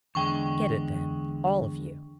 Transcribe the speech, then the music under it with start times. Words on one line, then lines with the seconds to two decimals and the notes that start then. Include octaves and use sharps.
'Get it, then--all of you.
0.15 E2 D3 G#3 G5 C#6